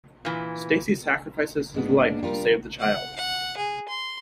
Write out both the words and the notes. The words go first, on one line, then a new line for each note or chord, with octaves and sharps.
Stacy sacrifices his life to save the child.
A#2 E3
G#2 G#3 A#3 B3 D4
G3 F4 A#4
F#5
F#5
G#4
C6